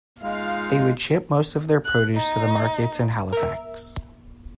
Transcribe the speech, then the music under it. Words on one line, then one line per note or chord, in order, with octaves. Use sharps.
They would ship most of their produce to the markets in Halifax.
G#3 D#4 F4 F5
F#6
D#4
A#4 E5